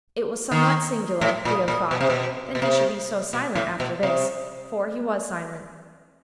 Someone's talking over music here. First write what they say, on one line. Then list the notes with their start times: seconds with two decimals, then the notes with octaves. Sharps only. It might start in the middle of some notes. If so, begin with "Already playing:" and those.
It was somewhat singular, Theo thought, that he should be so silent after this, for he was silent.
0.51 D#3
1.21 A2
1.45 A#2
1.68 A#2
1.91 B2
2.01 C3
2.10 B2
2.55 B2
2.62 C3
3.33 B2
3.55 A2
3.80 B2
4.03 C3